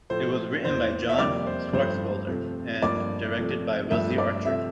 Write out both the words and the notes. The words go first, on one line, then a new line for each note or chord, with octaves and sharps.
It was written by John Swartzwelder and directed by Wesley Archer.
A2 F3 A3 C5
E2 E3 A#3 C5
E5
F2 C3 G3 A#3 D5
C5
G2 F3 A3 C5
C3 F3 A3
G2 F3 A#3 D5
C3 F3 A3
G2 F3 A3 E5
D5
C3 F3 A3 E5